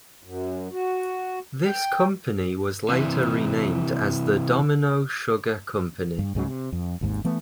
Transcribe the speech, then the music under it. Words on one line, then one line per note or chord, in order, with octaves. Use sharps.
This company was later renamed as the Domino Sugar company.
F#2
F#4
G5
C3 E3
G2
C#2 G#2 C#3 F#3
C3
F2
G#1 D#2 G#2
E3 A3 B3